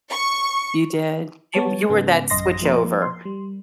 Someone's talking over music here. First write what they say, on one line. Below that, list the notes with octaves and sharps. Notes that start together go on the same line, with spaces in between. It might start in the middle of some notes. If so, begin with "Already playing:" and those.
You did? You w You were that switchover,
C#6
G3 B3 C#5 A5
G#2 C#3 B3
A1 F#2 D#5 C6 A#6
F3 A#3 A#4
C6
G3